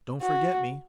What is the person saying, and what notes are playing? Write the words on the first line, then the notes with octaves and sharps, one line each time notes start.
"Don't forget me."
F#4